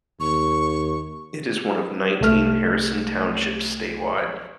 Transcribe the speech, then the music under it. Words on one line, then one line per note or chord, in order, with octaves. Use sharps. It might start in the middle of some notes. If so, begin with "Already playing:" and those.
It is one of nineteen Harrison Townships statewide.
D#2 C#6
C2 A3 F6